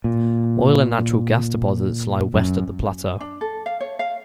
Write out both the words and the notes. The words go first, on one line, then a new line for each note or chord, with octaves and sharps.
Oil and natural-gas deposits lie west of the plateau.
A#2
F#2
D4
A4
F5
C#5
F5